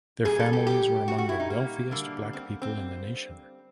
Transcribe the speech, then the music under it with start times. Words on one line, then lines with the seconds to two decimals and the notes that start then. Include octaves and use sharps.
Their family were among the wealthiest Black people in the nation.
0.25 A#2 G3 G#4
0.39 A4
0.53 G4
0.67 G4
1.08 F#4
1.18 F#4
1.29 E4
1.40 D#4
1.50 A#3
1.91 D3 G3 A#3
2.33 C4
2.62 C4